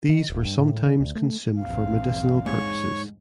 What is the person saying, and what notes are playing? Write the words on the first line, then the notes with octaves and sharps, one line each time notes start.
These were sometimes consumed for medicinal purposes.
D#3
D1
G2
A2
D3
D2
A3
A#1 E2 G2 C4 F5
G#2 C#5 C#6